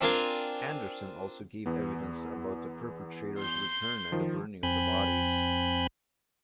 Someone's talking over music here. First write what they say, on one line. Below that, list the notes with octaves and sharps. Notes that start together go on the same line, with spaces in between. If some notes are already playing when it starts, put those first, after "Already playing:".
Anderson also gave evidence about the perpetrators' return and the burning of the bodies.
C4 D4 F4 A#4 F5 G#5
E2 B3
C6 G6
D#3 F3
F2 C4 G#5 B5 F#6 G6